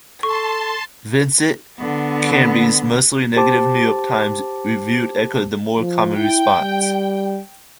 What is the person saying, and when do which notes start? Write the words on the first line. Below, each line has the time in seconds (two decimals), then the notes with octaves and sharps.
Vincent Canby's mostly negative "New York Times" review echoed the more common response.
0.23 A4 A5 C6 C#6
1.79 D3 B3
3.36 G4 C5 A5 D6
5.79 F3
6.17 E4 G5
6.60 G3